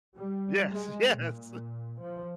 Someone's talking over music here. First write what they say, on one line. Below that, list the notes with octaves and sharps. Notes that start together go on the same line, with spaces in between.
Yes, yes!
G3
G#3
A#2
F3